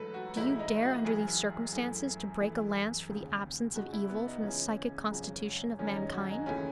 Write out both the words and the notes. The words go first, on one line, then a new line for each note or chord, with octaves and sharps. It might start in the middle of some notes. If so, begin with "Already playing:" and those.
Do you dare under these circumstances to break a lance for the absence of evil from the psychic constitution of mankind?
Already playing: A1 G#2 F#3 A3 A4 B4
F#4
A1 A2 G#3 E4
D#4
F#4
F#1 F#2 E3 G#4
F#2 E3 A3
F#2 E3 A3
E1 D#2 C#3
C#2 C#3 G#3 F#4
E4
B3
D#4
D#4
C#2 C#3 E3 C#4
G#1 F#2 C#3
F#2 D#3 G#3 C#4
D#4
F#4
D#4
D#2 C#3 E3 A3 C#4